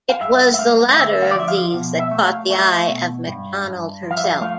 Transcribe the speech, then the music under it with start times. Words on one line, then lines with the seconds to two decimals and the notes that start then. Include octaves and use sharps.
It was the latter of these that caught the eye of McDonald herself.
0.09 F5
0.21 G2 E5
0.54 E5
0.59 A3 F5
0.97 D3 E5
1.22 F5
1.31 D5
1.35 F3 E5
1.48 F5
1.74 B2
1.99 E5
2.11 A3
2.25 F5
2.50 A3 E5
2.88 B2
3.26 G2
3.65 G2
4.03 F3
4.11 F5
4.17 E5
4.24 F5
4.41 A3 F5